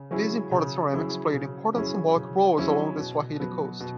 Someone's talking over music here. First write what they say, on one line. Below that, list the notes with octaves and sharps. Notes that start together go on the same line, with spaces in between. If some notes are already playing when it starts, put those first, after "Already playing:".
These imported ceramics played important symbolic roles along the Swahili Coast.
Already playing: C#3
F#3 C#4 E4 G#4
C#3
F#3 C#4 E4 G#4
C#3
F#3 C#4 E4 G#4
C#3
F#3 C#4 E4 G#4
B2
F#3 B3 F#4
B2